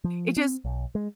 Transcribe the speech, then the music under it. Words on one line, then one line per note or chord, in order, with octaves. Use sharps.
it just
F3
C4
B1
G#3